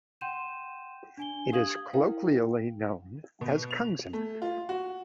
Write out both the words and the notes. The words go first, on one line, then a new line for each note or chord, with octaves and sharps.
It is colloquially known as "Kungsan".
F#5 G5 C6 G6 D#7 E7
D4 G#5 G7
G4 F5 D#6 G#6 F#7
E4 A#4 F5 G5
B2
F7
A3
F4
F#4